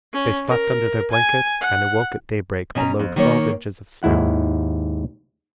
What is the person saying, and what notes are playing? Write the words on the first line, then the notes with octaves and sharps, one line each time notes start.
They slept under their blankets and awoke at daybreak below twelve inches of snow.
C#4
A#4
G#5
F#5
B2 C#4 A5 A#5
F2
D#3 A#3 C#5
D#2 G#2 E4 F#5